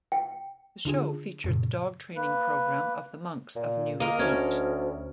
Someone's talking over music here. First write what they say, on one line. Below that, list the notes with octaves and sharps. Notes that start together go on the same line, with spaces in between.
The show featured the dog training program of the Monks of New Skete.
G5
D3 D4 F4 G#4
F#2 A#2 C#3
A#3 B4
A#2
A#3 A#4 D#5
D2 C#4